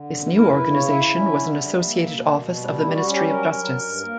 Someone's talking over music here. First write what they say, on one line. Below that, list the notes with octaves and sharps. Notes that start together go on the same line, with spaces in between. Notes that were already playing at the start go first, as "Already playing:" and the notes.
This new organisation was an associated office of the Ministry of Justice.
Already playing: D3
F#2
E4 A#4
B4
C#3
C#5
E4
E5
C#4
D3
G3
A#3
B2
B2
G3
E4
G3 G4
F#4
C#4
G4
F#3 A#4
F#3
G2
A#3